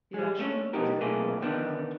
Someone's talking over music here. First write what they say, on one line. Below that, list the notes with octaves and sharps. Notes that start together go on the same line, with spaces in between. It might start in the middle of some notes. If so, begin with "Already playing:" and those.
The election was therefore upheld.
G3 G#3
A3 C#4 D4
B1 A2 B3 D#4 G4 A#4
B1 A#2 A3 A#3 C4 G#4
D3 D#3 B3 D4